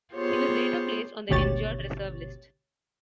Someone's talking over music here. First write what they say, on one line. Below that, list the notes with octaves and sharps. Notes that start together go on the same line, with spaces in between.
He was later placed on the injured reserve list.
B3 F4 G4 G#4 C5 C#5
G#1 D2 B2 G4 C#5 A6